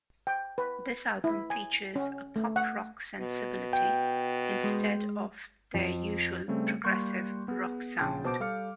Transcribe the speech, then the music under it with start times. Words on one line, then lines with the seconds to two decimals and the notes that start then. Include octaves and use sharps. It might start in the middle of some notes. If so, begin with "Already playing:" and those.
This album features a pop rock sensibility, instead of their usual progressive rock sound.
0.27 G5
0.58 B4
1.24 E4
1.50 G#5
1.96 C#4
2.36 A3
2.56 F#5
3.20 B2
3.73 G5
4.64 G#3
5.74 F2
6.48 C#3 G3 A3 C4
6.84 G3 A#3 C6 C#6 F#6 G6
7.48 B3 G#4
7.97 A#1 C#3 G5 A5 C6
8.24 B2 C5 A5 D6 G6 D7
8.40 G3 A4 F5 D6 F6 C#7